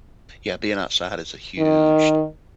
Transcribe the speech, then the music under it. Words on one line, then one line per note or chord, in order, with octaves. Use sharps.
Yeah, being outside is a huge
D#3